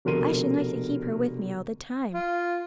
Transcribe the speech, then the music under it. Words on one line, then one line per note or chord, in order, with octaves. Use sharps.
"I should like to keep her with me all the time."
F1 B2 D3 A#4 C6 D#7
F4